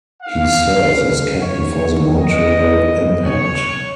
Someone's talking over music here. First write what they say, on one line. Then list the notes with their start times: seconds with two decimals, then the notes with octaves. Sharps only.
He serves as captain for the Montreal Impact.
0.23 F5
1.41 C#5
2.16 D#5
3.24 C#5